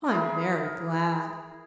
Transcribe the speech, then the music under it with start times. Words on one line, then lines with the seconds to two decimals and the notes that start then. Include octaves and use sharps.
I am very glad.
0.11 E4 G#4 A#4